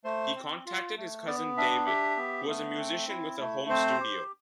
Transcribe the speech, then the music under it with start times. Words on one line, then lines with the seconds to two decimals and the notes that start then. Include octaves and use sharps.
He contacted his cousin David, who was a musician with a home studio.
0.04 A3 C5
0.35 C4
0.66 F4
0.97 A3
1.26 B3 D5
1.57 D4 E5
1.86 G4 E5
2.17 B3
2.47 A3
2.78 C4
3.09 E4
3.39 A3
3.69 C4 C5
4.00 G4